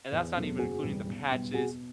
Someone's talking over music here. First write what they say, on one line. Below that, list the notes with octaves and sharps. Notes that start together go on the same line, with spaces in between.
And that's not even including the patches
E2
B2 F#3 A3
F#1 F#4 G#4
E2 B2 G3
B1
B2 G3 B3
B2 F#4 G#4